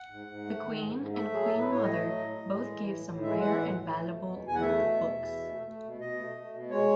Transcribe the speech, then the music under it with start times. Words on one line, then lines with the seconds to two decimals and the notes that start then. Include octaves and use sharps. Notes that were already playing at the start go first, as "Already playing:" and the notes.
The Queen and Queen Mother both gave some rare and valuable old books.
Already playing: F#5
0.10 G#2
0.27 G#2
0.45 A3
0.62 D#3
0.79 G#2
0.96 G#2
1.14 A3 E5
1.31 F#3 G#4
1.45 A2 A4
1.58 B4
1.66 A2
1.71 C#5
1.83 A3 D#5
2.01 F#3
2.18 A2
2.36 A2
2.53 G#3
2.71 E3
2.88 A2
3.05 A2
3.23 G#3 E5
3.40 E3 F#5
3.50 E5
3.58 A2 F#5
3.75 A2
3.92 A3
4.10 B2
4.27 E2
4.45 E2 G#5
4.55 F#5
4.61 A3 E5
4.80 B2
4.97 E2
5.14 E2
5.32 B2
5.49 A3
5.67 A3
5.84 B2
6.01 B2 D#5
6.18 A3
6.36 A3
6.53 B2
6.70 G#3 C#5